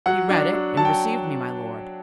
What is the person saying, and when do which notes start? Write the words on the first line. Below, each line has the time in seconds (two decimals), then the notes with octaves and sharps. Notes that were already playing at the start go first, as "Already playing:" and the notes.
"He read it, and received me, my lord."
0.06 F#3 F#5
0.30 D4
0.53 F#3
0.77 F#3 A5
0.85 G5